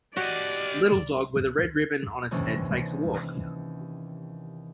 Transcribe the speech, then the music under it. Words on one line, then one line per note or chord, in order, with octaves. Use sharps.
A little dog with a red ribbon on its head takes a walk.
F#4 G4 D5 D#5
D#2 C3 E3 C#4 D4